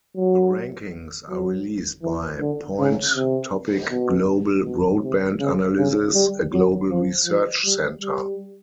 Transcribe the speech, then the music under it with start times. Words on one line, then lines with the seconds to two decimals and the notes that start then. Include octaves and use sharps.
The rankings are released by Point Topic Global broadband analysis, a global research centre.
0.16 F#3
1.29 F#3
2.03 E3
2.40 D3
2.78 C#3
3.15 C3
3.91 B2
4.65 B2
5.02 C3
5.39 C#3
5.78 C#3
6.14 G3
6.52 F#3
6.90 F3
7.26 F3
7.64 G3
8.01 G3